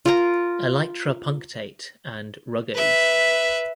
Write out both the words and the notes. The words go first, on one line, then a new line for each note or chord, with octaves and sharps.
Elytra punctate and rugose.
F4 A#4 A#5
B4 E5